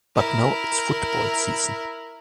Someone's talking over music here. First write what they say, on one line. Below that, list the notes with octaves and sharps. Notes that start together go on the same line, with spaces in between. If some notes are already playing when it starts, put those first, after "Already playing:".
But now it's football season.
E4 A#4